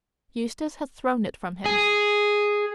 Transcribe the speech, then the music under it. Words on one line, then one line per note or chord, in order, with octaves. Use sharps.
Eustace had thrown it from him.
G#4